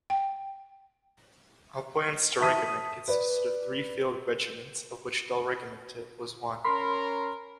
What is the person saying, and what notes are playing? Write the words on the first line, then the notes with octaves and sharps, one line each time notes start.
"Upplands storregemente" consisted of three field regiments, of which the "Dalregementet" was one.
G5
E5 A5 D#6 B6 D#7
B4 D5
C#4 A#4 B5 C6